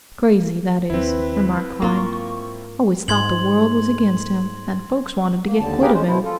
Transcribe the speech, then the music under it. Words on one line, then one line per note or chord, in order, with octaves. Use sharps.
"Crazy, that is," remarked Clyne; "always thought the world was against him, and folks wanted to get quit of him."
D#2 C4 E4 B4
G#2 A#3 F4 C#6
G#2 C6 G#6 F#7
A#3
D#2 D3 A5
G4 G#4 A#4 B4 F5 G5
F2 G#3 C#4 C5
B2 E4 C5
F4 A4